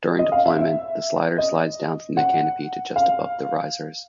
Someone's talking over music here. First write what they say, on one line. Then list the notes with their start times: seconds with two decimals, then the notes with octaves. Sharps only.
During deployment, the slider slides down from the canopy to just above the risers.
0.19 D#5
0.32 F5
0.46 E5
0.59 E5
1.38 D#5
2.17 F#5
2.96 F5